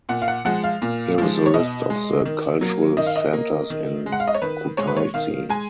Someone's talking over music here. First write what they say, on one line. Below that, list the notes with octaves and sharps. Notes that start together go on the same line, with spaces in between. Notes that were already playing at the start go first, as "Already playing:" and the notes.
Here is a list of the cultural centers in Kutaisi.
A#2 F#5
F5
F#5
F3 G#3 F#5
F5
A#2
F3 G#3
C#5
B2 D#5
G#3
D#3
F#3 A#3
D#3 D#5
F5
D#5
A#3
D#3
G#3
F#5
F5
D#5
C#5
D#3 B4
G#3 C#5
B4
C#5
D#3 F5
G#3 G#5